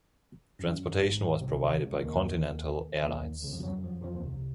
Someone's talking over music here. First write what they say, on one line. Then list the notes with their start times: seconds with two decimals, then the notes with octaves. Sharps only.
Transportation was provided by Continental Airlines.
0.59 F#2
0.99 G#1 G#2
1.41 C2 C3
1.81 C#2 C#3
2.01 D#2 D#3
3.02 D#2 D#3
3.43 C#2 C#3
3.53 F2 F3
3.63 F#2 F#3
3.84 F2 F3
4.04 F2 F3
4.14 D#2 D#3
4.24 C2 C3